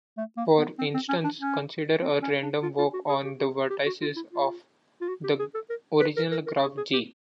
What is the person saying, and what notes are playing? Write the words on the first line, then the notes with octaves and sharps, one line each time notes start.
For instance consider a random walk on the vertices of the original graph "G".
A3
A#3
B3
C4
C4
C#4
D4
C#4
C4
C#4
D4
F4
F4
F#4
G#4
G4
G4
G4
F#4
F4
E4
F4
F4
F#4
G4
G#4
A4
A#4
B4
A#4
A#4
A#4
G#4
G#4
G4